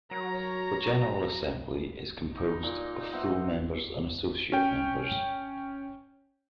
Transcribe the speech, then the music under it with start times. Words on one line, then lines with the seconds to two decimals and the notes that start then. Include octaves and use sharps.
The General Assembly is composed of full members and associate members.
0.11 F#3 A#4 C#5 A#5
2.34 D#4
2.63 A#2 D6
3.13 B3 C5 E5
4.52 C#4 G5